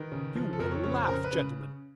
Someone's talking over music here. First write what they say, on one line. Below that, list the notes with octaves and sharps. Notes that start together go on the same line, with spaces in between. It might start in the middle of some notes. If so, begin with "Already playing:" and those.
You will laugh, gentlemen.
Already playing: D#3 B4
C#3
F3
A4
F2 A#4
C#5
C#3 C#5
C5
C#3 A#4
B4
C#3